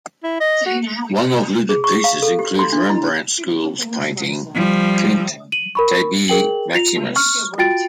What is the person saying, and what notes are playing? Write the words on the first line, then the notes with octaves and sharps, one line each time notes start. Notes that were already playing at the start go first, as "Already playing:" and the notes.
One of looted pieces includes Rembrandt school's painting 'Klint Tabie Maximus'.
E4
D#5
F#4
G#4
C#6
F5
A4
G4
C6
D4
E4
F3 G3
D#7 F#7
A#4 B5 C#6
G#4 A#4 G5 F#7
F4 F7
C#6 F6
F4 F#4 G5 A6 D7